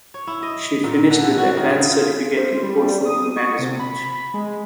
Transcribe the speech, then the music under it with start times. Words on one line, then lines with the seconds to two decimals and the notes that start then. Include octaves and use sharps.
She finished with the Advanced Certificate in Portfolio Management.
0.14 C#5
0.27 E4
0.43 D#5
0.84 A#2
1.10 D3
1.24 E3
1.38 F#4
1.57 D#3
1.70 C#3
1.89 F4
2.37 C5
2.63 G3
3.05 D#6
3.37 C#6
3.59 C3
3.80 B5
4.12 B5
4.34 G#3